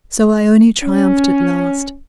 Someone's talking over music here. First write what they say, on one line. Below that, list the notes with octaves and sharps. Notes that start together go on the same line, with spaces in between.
So Ione triumphed at last.
C#4